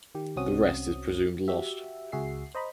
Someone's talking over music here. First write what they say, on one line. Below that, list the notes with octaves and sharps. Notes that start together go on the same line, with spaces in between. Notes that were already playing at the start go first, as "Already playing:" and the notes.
The rest is presumed lost.
D#3 G4
C2 C4 C#4 F#4 D#6
F#4 G4 E5
C#2 F#4 G#4 E5 C7
C5 D#5 A#5 B5